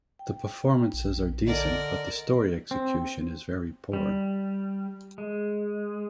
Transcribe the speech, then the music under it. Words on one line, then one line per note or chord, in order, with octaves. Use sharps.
The performances are decent but the story execution is very poor.
G5
A#1
D3 A#4 D5 D#5
C4
G3
G#3